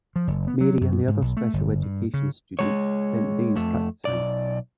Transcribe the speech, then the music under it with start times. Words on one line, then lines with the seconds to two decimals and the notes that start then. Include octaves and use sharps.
Mary and the other Special Education students spend days practicing.
0.16 F3
0.28 F#1
0.48 B3
0.61 F#3
0.81 F#2
1.07 G#2
1.22 B1
1.37 A3
1.53 G1
1.83 G2
2.14 C#3
2.59 G#3 C#5
3.56 F2 A3
4.05 B1 D5